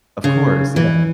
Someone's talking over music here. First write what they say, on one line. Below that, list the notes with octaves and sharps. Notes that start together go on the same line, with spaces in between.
Of course, yeah.
C#3
E3